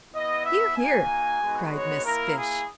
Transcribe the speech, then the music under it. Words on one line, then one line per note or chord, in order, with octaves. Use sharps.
"Hear! hear!" cried Miss Fish.
B3 E4 D#5
E5
A#3 D#4 F#4 G#5
G#3 B3 D#4 F#4
C#5
A#3 E4 A#4
G#4